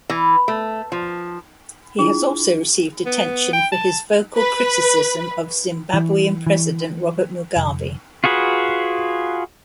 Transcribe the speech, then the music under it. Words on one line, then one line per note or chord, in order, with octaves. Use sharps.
He has also received attention for his vocal criticism of Zimbabwean president Robert Mugabe.
E3
A3
F3
D4 E4 F4 G#4
B3
G5
A5
B4
E3
E3
F1
F4 F#4 G#4 B4